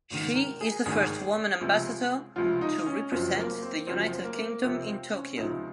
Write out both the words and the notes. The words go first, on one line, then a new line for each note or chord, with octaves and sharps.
She is the first woman ambassador to represent the United Kingdom in Tokyo.
G#1 G#2 D#3
A#4
G#4
G#1 G#2 D#3 G#4
C#2 C3 F3
C#2 C3 F3 F4
D#4
C#4
F#1 F#2 F3 C4
A#3
C4
F#1 F#2 F3 C4
A#3
C#2 C3 F3 C4
C4
C#4
C#2 C3 F3 D#4